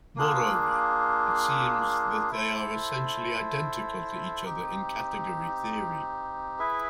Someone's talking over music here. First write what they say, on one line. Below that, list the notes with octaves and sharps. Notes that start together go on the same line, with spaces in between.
Moreover, it seems that they are essentially identical to each other in category theory.
A#3 D4 F4 G#4
E4 A4 C5
C4 D#4 G4
E4 G#4 B4 E5